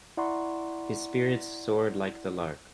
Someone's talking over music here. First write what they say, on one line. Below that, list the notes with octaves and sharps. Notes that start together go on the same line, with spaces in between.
His spirits soared like the lark.
E4 D5 F#5 A#5 C6 C#6